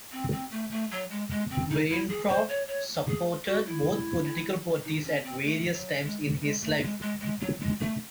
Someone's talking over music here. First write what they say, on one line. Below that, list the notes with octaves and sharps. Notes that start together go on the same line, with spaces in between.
Weintraub supported both political parties at various times in his life.
C4
C4
A3
A3
F#3
G#3
G#3
C4
D#4
E4
G#4
C5
C#5
C#5
G#4
F#4
E4
D#4
C#4
C4
A3
F#3
G#3
G#3
A3
G#3
G#3
G#3
F#3
G#3
A3